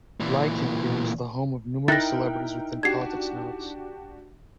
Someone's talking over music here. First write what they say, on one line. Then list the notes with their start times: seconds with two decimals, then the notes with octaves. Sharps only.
Leikanger is the home of numerous celebrities within politics and arts.
0.20 A#2 E3
1.88 D#4 E4 A#4 E5 G5 F#6 A6 A#6
2.83 D4 F#4 G4 G#6 C7